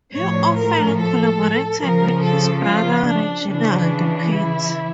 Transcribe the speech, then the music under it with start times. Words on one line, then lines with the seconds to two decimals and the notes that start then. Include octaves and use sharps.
He often collaborated with his brother, Reginald Pitt.
0.15 A2 F3 C#5
0.57 A#4
0.99 A4
1.82 C#3 F3 A#4
2.24 A4
2.65 F4
3.06 D4
3.48 C#3 E3 D4
4.31 E4